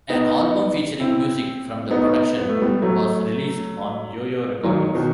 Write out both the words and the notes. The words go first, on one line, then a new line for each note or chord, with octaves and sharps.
An album featuring music from the production was released on Yoyo Recordings.
B3 D#4
C4 E4
B3 D#4
B3
A3
G3 B3
F#3 A3
D#3 F#3
B2 D#3